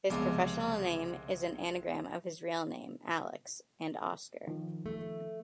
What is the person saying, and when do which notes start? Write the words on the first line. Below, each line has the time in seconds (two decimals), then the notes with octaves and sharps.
His professional name is an anagram of his real name, 'Alex', and 'Oscar'.
0.10 C2 C#3 F3 G#3 B3 D4
4.47 D#3 F3
4.86 A3